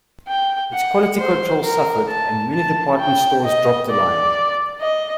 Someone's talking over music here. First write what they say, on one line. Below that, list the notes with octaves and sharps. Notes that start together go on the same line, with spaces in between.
Its quality control suffered, and many department stores dropped the line.
G5
F#5
C5
A#4
A5
A5
G5
D#5
D5
D#5